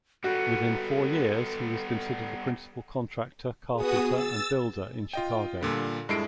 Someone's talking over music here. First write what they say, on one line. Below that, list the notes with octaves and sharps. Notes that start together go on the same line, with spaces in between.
Within four years, he was considered a principal contractor, carpenter and builder in Chicago.
G3 B3 F#4 A4
B3 F#4 G#4 D#6
E6 A6
F4 D#5 G5
A#2 D3 G3
G2 G#3 E4 A4 C7 D7